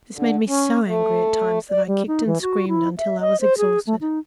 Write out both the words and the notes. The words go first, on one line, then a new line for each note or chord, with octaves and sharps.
This made me so angry at times that I kicked and screamed until I was exhausted.
D3
C#4
A3
D5
G3
D#4
E3
F#4
E4
E5
D#5
C5
G#4
A3
D#4